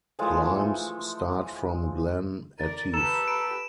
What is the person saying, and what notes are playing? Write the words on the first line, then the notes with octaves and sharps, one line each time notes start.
Climbs start from Glen Etive.
E3 F3 G#3 A3
A#4 D5 A6
G4 A4 B4 A#5 E7
D7